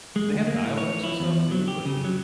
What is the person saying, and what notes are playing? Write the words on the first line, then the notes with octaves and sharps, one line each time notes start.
They have dialects and stuff too, like in
G#3
D2
A#3
A2
C#5
E4
E2
F#3
G4
C#3
F#3